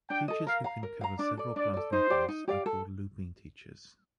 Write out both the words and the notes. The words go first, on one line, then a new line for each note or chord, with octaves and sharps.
Teachers who can cover several class levels are called "looping teachers".
D4 G5
A4 D#5
A#4 F5
F5 A#5
A#4
F5 A#5
D4 D5
A4 D5
D4 D5
A4 D5
D#4 C5
G4 D5 F5
D#4
G4 D5 F5
A4